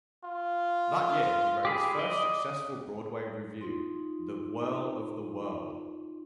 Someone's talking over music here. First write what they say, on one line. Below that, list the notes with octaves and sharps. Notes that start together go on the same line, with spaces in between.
That year he wrote his first successful Broadway revue, "The Whirl of the World".
F4
G4 G#4 B5
D5 D#5
D#4 F4 C6